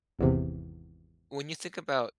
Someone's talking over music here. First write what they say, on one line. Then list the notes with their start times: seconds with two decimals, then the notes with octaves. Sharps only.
when you think about
0.19 G#1 E2 C3